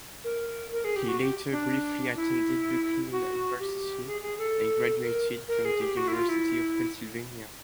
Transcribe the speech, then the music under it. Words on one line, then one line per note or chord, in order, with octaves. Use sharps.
He later briefly attended Bucknell University and graduated from the University of Pennsylvania.
A#4
A#4
G#4
G4
F#4
G4
D4
E4
F#4
G4
G#4
G#4
A4
A#4
A#4
G#4
G4
F#4
E4
F4
E4